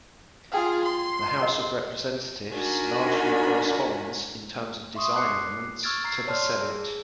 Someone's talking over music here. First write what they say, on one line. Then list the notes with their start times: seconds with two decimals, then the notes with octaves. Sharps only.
The House of Representatives largely corresponds, in terms of design elements, to the Senate.
0.52 F4 G#4 B4 G5 G#5
0.84 C6
1.39 G#4 A#4 D#5
2.50 D4 D#4 F#4 A#4 G#5 B5
4.95 E5 C6 C#6 D#6
5.15 D6 F#6 C7 C#7
5.83 C#6 E6 F6 G#6 A6 D7
6.04 A#5 C7
6.27 C#5 D5 A5 C6 E6 F6
6.61 G#4